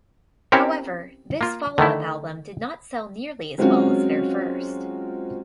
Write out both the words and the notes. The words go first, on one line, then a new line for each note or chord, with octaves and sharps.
However, this follow-up album did not sell nearly as well as their first.
C4 C#4 E4 G4 A#4 C#5
A#3 F4
D3 D#3 A3 E4
F#3 G#3 C4 C#4 F4 F#4